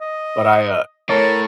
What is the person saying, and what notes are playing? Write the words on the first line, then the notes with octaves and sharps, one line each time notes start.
but I, uh,
D#5
A2 A#4 C#5 A5